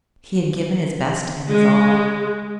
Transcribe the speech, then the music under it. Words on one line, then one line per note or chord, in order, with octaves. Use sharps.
He had given his best and his all.
G#3